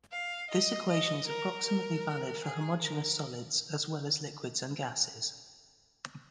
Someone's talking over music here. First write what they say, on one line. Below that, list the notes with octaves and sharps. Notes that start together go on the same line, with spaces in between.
This equation is approximately valid for homogeneous solids as well as liquids and gasses.
F5
D#5
D#5
A#4
A#4
G#4
A#4